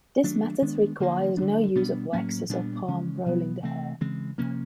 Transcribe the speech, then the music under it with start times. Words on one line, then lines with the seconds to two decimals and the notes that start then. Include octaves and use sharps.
This method requires no use of waxes or palm rolling the hair.
0.24 D#3 F#3 A3 D4
0.62 D#3 G#3 B3 D4
1.00 D3 F3 A#3
1.37 D3 F#3 B3 D4
1.75 B2 G3 B3 D4
2.12 A2 F#3 A#3 C#4
2.49 A#2 G3 B3 D4
2.88 C#3 E3 G#3 C#4
3.26 B2 F#3 B3
3.62 C3 E3 A3 C4
4.01 C#3 E3 G#3 C4
4.38 C3 F3 A#3 C#4